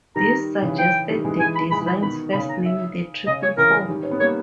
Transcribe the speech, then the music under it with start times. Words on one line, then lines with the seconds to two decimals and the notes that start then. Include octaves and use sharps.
This suggested the design's first name, the Triple-Four.
0.16 D#3 G3 A#5
0.62 C#3 E3
0.78 G5
1.09 D#3 G3
1.25 E3 G#3
1.40 E3 G#3 G#5
1.56 B5
1.71 E3 G#3 B5
1.82 E3 G#3
1.87 B5
2.02 B2 D#3 B5
2.33 C#3 B5
2.49 A#5
2.65 E5
3.27 C#3 D#5
3.43 C#5
3.57 C#3 E3 A#4
3.77 G#3
3.88 D#3 G3
4.03 C#4
4.11 B3
4.20 G3 A#3 C#5